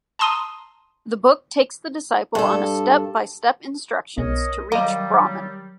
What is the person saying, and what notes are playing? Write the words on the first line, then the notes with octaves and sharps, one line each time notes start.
The book takes the disciple on a step by step instructions to reach Brahman.
A5 A#5 C6 D#6 D#7
G2 A4
B1 A#4 C#5 D#5
D#3 F#3 G3 A#3 D#5 A#5 D6